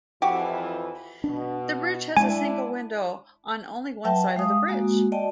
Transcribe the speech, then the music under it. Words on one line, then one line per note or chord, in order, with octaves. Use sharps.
The bridge has a single window on only one side of the bridge.
F2 E3 F3 F#4 G4
B2 D4
G#3 D4 E4 G#5
F#3 B4 E5 G5 A5
G#3 F5 D#6
G#3 A#3 F#4
D5 D#5 G5 A5